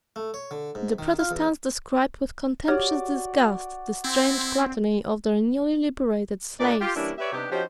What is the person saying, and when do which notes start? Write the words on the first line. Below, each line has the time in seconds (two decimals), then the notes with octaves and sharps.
The Protestants described with contemptuous disgust the strange gluttony of their newly liberated slaves.
0.16 A3
0.34 C#5
0.51 D3
0.75 G#2
0.99 D#3
1.19 F4
1.31 E2
2.68 F#4 G4 C#5 D5 F6
4.04 C4 E4
6.60 A#2 G#3 D4 D5
6.81 F4 G4
6.96 E3 G3 A#3 C#4 D4 E4
7.18 G4 B4 C#5 D5 E5
7.33 C3 B3 D4 D#4 G4
7.51 F3 C#4 D#4 F#4 G4 C5